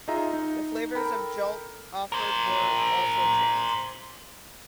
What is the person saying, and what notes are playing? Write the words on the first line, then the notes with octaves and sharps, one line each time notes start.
The flavors of Jolt offered were also changed.
D#4 F4 G#4 D#5 E5 A#5
D#4
A4 A#4 G5 A#5 B5
A#4 C5